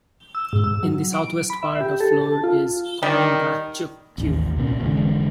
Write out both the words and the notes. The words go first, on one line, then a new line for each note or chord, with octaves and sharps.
In the southwest part of the floor is Kondratyuk Q.
E6
G#2
E6
F#3
D7
B5
E5
G4
A4
A5
F4
D#3 G3
A1 D#2
C2 A#2 C#4
F1 D3 E3 G#3